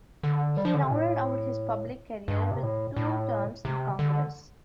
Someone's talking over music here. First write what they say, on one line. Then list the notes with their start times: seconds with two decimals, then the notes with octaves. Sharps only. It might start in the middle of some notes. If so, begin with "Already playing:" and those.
He rounded out his public career with two terms in Congress.
0.23 D3
0.57 G3
0.65 F3
0.74 D3
0.83 C3
0.91 A2
2.28 G2
2.51 C3
2.63 A2
2.96 A2
3.65 C3
3.99 D3